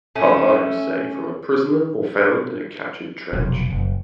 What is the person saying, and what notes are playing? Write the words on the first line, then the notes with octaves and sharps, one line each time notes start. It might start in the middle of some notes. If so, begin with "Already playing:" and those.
Haha, you say, from a prisoner or found in a captured trench.
A3 C#4
F1 B1
F#1